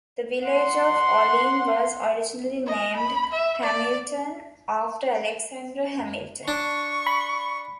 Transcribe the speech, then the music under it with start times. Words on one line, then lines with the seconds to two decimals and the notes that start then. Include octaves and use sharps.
The village of Olean was originally named "Hamilton", after Alexander Hamilton.
0.43 F#5 C6
2.66 D#5
2.96 B5
3.33 E5
3.63 D5
6.48 D4 C#6
7.06 B5